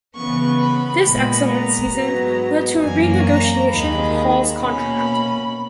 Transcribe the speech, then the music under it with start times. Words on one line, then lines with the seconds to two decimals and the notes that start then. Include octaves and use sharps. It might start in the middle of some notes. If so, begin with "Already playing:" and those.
This excellent season led to a renegotiation of Hall's contract.
0.15 C#3 E3 B3 C#6
0.59 B5
1.05 A#2 G#3 B3 B5
1.48 A#5
1.92 G#2 F#3 B3
2.80 F#2 E3 A#3 C#4 G#5
3.25 A#5
3.69 D#2 D#3 G#3 B5
4.57 B2 A#3 C#4 B5